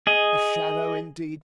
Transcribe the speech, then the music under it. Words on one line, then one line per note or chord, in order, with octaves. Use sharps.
A shadow indeed!
G#4 D#5